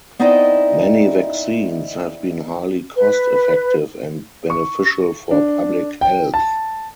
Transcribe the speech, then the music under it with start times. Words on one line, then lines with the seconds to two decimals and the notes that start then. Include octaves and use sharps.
Many vaccines have been highly cost effective and beneficial for public health.
0.19 B3 C4 D#4 E4 D5 D#5
2.95 B4
4.50 C#6
5.31 D4
6.01 G5
6.34 A5